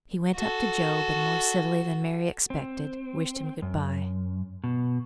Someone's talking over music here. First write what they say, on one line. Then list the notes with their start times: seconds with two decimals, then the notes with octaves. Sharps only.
He went up to Job, and, more civilly than Mary expected, wished him good-bye.
0.35 F#4 A4
2.50 C4
3.62 F#2
4.64 B2